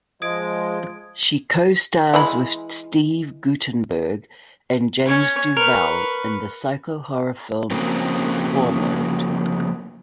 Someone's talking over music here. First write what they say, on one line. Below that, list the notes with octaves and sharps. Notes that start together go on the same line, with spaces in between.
She co-stars with Steve Guttenberg and James Duval in the psycho horror film Cornered!
F3 G#3 D#6 G#6 D7
E3 G#3 B5
C#4 C#5
A#4 B4 C#6
F2 C#3 F#3 A#3 C4